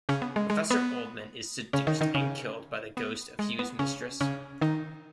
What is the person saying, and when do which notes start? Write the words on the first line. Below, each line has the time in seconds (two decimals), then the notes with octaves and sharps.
Professor Oldman is seduced and killed by the ghost of Hugh's mistress.
0.09 C#3 C#4
0.22 B3
0.36 G#3
0.50 G#3
0.70 B3
1.73 C#3 C#4
1.87 D#3 D#4
2.01 D#3 D#4
2.15 C#3 C#4
2.97 B3
3.39 G#3
3.59 B3
3.79 C#3 C#4
4.21 C#3 C#4
4.61 D#3 D#4